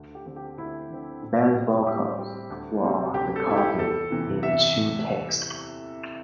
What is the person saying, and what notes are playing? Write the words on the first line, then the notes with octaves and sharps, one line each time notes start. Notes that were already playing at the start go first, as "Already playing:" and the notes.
Plant's vocals were recorded in two takes.
Already playing: D2
G4
D3 C4
G4
D2 E4
D3 C4
A2
G3 C4
A2 G4
G3 C4
D2
C3 G3 C4
D2 G4
A4
C3 G3 C4 E4
G4
E2 A4
C3 E3
E2 E5